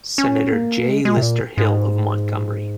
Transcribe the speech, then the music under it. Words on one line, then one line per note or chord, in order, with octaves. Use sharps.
Senator J. Lister Hill of Montgomery.
C#4
A#3
G#3
G#3
C3
A#2
G#2